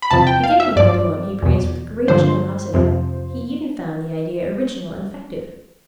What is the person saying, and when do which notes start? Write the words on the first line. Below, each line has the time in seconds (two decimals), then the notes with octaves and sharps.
The beginning of the poem he praised with great generosity: he even found the idea original and effective.
0.02 B5
0.11 E2 C3 F3 A5
0.27 G5
0.44 F5
0.60 E5
0.76 G2 F3 D5
1.42 E2 B2
2.08 G2 D3 F3 C5
2.74 F2 C3 F3